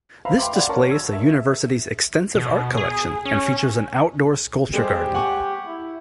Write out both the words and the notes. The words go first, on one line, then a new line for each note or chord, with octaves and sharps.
This displays the University's extensive art collection, and features an outdoor sculpture garden.
B4 C5 E5 F5 A#5 B5
G5 B5 C6 D6
D5 F5 F#5 B5 C6
C#4 A#4 A5 C#6
E6 G#6
A#4 E5
B2
G#4
C#4
G3 G#3 G4 C5
F#5 G#5 C#6
E4